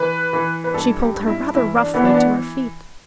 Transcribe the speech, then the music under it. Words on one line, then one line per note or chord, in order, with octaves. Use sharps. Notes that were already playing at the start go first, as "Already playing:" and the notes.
She pulled her rather roughly to her feet.
Already playing: E3 B4
E3
B4
G2 A4
G4
G2
E4
E3 E4
D4
E3 B3
D4
B3